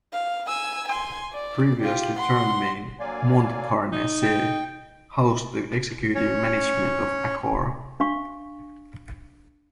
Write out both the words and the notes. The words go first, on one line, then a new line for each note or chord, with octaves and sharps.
Previously Tour Maine-Montparnasse housed the executive management of Accor.
F5
G#5 E6
G#5 C6
D5
F4 G4
F#5 C6
D3 F#3 A#3 D5 F5 G#5
D#4
G5
C#4 C#5
D4 F5 C#6